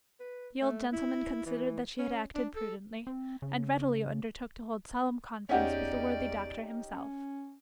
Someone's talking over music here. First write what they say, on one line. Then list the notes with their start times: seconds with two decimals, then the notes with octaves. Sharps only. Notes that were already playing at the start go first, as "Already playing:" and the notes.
The old gentleman considered that she had acted prudently, and readily undertook to hold solemn conference with the worthy doctor himself.
0.20 B4
0.61 A3
0.93 E4
1.46 E3
1.99 C#4
2.35 D4
2.56 A4
3.07 C4
3.42 C#3
5.49 E2 C#4 D#4 G4 D5 E5 F#5
6.93 C#4